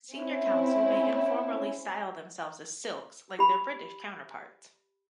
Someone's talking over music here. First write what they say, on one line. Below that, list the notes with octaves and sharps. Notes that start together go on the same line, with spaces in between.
Senior Counsel may informally style themselves as "silks", like their British counterparts.
C4 C#4 E4
G4 B5